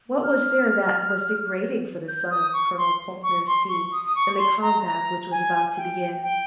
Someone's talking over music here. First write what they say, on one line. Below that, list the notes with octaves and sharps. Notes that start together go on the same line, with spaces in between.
What was there that was degrading for the son of Colonel Pontmercy in the combat which was about to begin?
F6
G6
D#6
C#6
C6
C#6
C6
C#6
D#6
D#6
C#6
C6
A#5
A#5
G#5
G5
G5